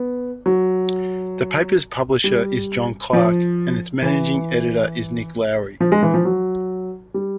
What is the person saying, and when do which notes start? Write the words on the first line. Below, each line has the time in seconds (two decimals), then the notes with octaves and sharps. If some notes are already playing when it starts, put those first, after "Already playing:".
The paper's publisher is John Clark, and its managing editor is Nick Lowrey.
Already playing: B3
0.46 F#3
2.24 G3
3.13 F3
4.02 E3
5.81 F3
5.92 G#3
6.03 E3
6.14 F3
6.25 F#3
7.14 G3